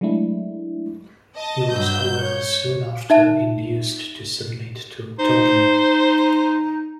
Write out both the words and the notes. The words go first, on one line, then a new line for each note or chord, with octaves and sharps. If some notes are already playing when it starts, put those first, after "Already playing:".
He was, however, soon after, induced to submit to Ptolemy.
F#3 G#3 A3 D4 E4
D#5 A5
G2 F#3 E6 G6
C#5
D#4 E5 A5
D#4 C5